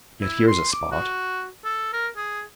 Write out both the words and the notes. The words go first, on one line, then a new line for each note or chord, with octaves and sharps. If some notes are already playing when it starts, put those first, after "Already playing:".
Yet here's a spot.
E4
C6
D6
F#4
A4
A#4
G#4